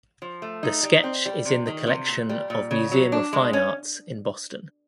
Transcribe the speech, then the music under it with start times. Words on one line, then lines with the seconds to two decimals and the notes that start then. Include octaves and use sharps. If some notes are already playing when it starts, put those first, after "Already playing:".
The sketch is in the collection of Museum of Fine Arts in Boston.
0.22 F3
0.42 A3
0.63 D#4
0.83 G3
1.04 C4
1.26 G3
1.45 C3
1.67 D#3
1.87 C3
2.08 A#2
2.29 G3
2.50 A#2
2.71 C#3
2.91 F#3
3.12 D4
3.33 G#3
3.53 C#4